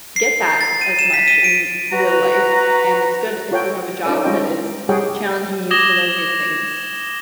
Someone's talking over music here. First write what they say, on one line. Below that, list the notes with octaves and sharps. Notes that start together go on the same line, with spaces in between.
get that as much in real life, and it's good if you have a job that is challenging you to learn new things.
C7
A6
D#7
E7
B6
D#7
D7
F#4 B4 A#5
F4 A4 C#5 F#5 G5
C#4 D#4 F4 A4 D5
G3 G#3 C#4 F4 D#5 G5
G3 G4 G#4 C#5 F#5 G5
D6 D#6 G#6 A#6 E7 G7